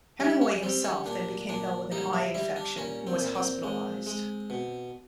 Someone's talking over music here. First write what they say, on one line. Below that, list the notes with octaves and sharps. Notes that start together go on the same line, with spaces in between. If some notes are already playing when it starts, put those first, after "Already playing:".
Hemingway himself then became ill with an eye infection and was hospitalized.
G3 E4
C#4
G3 C4
C#4
A#2 D4
A#2 D4
G3 D#4
E4
G3 E4
D4
A#2 C#4
C4
A#2
C4
G#3
G#3
B2